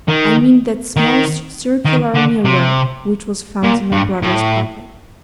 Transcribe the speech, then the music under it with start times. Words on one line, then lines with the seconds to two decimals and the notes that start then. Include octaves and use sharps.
I mean that small, circular mirror which was found in my brother's pocket.
0.08 D#3
0.97 D#3
1.85 D#3
2.15 D3
2.45 C3
3.63 A#2
3.92 G2
4.22 A2